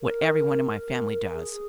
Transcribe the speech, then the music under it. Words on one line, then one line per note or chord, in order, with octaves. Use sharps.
What every one in my family does.
A#4
A#4
G#4